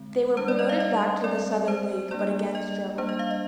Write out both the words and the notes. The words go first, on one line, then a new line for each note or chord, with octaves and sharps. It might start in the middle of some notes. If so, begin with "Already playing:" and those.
They were promoted back to the Southern League, but again struggled.
Already playing: D3 G#3 C4
G3 D4 C5
D5
D#5
F5
D#5
G3 C4 D5
C5
G3 A#3 D4 D5
D#5
G3 A#3 D4 C5
D#5
F5
D#5